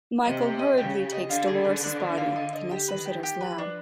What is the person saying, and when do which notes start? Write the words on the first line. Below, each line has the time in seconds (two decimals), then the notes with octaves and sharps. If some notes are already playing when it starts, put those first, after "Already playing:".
Michael hurriedly takes Dolores's body to Necessiter's lab.
0.25 C3 D#5
0.42 G4
0.59 D#5
0.77 C#3 G4
0.95 G4
1.12 D#5
1.30 D3 F4
1.48 G#4
1.65 B3
1.83 D4
2.00 B3
2.18 F4
2.36 D#5
2.53 D#5
2.71 G4
2.88 D#3 B4
3.05 G4
3.23 G4
3.41 F3 B4
3.58 D4